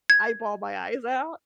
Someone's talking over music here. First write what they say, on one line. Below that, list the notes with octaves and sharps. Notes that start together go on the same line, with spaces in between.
I bawl my eyes out.
G#6